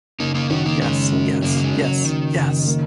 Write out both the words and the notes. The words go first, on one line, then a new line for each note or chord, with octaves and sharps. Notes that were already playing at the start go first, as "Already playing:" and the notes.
Yes, yes, yes, yes...!
F#1 A#3 D#4
A#3 D#4
D#3 C#4 F#4
A#3 D#4
F#1 G#3 C#4
F#2
F#1 F#3 A#3
F#3
D#3 G#3
F#1
F#3
F#1 D#3
F#1
A#3